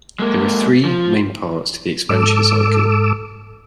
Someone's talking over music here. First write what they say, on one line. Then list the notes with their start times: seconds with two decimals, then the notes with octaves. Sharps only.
There are three main parts to the expansion cycle.
0.19 G#3 A#3
0.85 F3
2.09 G#2 A4 D6 E6